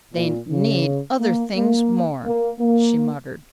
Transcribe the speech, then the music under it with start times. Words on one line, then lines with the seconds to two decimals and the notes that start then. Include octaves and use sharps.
"They need other things more," she muttered.
0.13 A#2
0.49 C#3
1.18 A#3
1.54 A#3
2.25 A#3
2.59 A#3